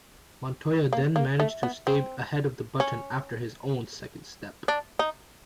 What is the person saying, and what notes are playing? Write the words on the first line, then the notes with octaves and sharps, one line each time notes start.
Montoya then managed to stay ahead of Button after his own second stop.
A#3
A#3
A3
B3
C4
C#4
D4
D#4